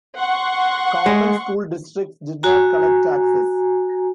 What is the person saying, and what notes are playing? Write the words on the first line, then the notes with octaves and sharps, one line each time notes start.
Common school districts did not collect taxes.
F#5 C6 C#6
G#3
F#4 G#5 A#5